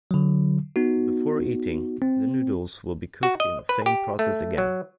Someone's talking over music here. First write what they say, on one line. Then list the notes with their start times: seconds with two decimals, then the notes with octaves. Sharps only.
Before eating, the noodles will be cooked in the same process again.
0.11 D3 F#3
0.76 B3 D#4 F#4
2.02 C4
3.23 F#4
3.40 D#5
3.69 B4
3.86 G4
4.19 A3
4.58 F#3